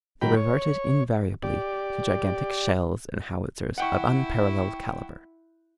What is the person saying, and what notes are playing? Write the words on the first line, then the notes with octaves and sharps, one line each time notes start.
They reverted invariably to gigantic shells and howitzers of unparalleled caliber.
G#2 D#3 F#3 A#4 G5 B5
C#5
G4 D5
E4 F#5 G5 C#6